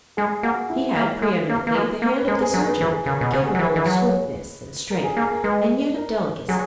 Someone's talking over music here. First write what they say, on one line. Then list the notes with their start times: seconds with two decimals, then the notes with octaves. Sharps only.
He had, pre-eminently, the hand of the surgeon, capable of swiftness and strength, and yet of delicacy.
0.17 G#3 G#4
0.43 A#3 F#4
0.70 E4
0.96 A#3
1.22 G#3
1.49 A#3
1.67 A#3
1.75 G#3
2.02 A#3
2.17 B4
2.28 G#3 A#4
2.41 G#4
2.54 F#3 A#4
2.67 B4
2.80 E3 A#4
2.94 G#4
3.06 C#3 A#4
3.20 B2 G#4
3.33 C#3 F#4
3.46 G#4
3.55 F#3
3.59 E3 A#4
3.73 E3 B4
3.86 F#3
4.91 A#4
5.04 G#4
5.17 A#3 G#4
5.31 A#4
5.43 G#3 B4
5.96 A#4
6.48 F#3 G#4